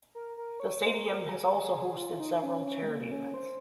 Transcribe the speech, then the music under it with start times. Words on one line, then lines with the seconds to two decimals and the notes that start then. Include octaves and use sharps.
The stadium has also hosted several charity events.
0.15 A#4
0.37 A#4
0.60 C#5
0.84 C5
0.94 A#4
1.06 G#4
1.12 A#4
1.29 G#4
1.63 G#4
1.97 F4
2.20 D#4
2.43 C#4
2.65 C#4
2.83 G#3
2.89 A#3
3.11 C#4
3.34 C5